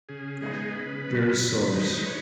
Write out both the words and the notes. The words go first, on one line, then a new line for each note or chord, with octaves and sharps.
Per source.
C#3 G#4
G#3 B3 D#4 G#4
C#3 B4
F#3 B3
F#2
D#3 G#3 D#4
C#5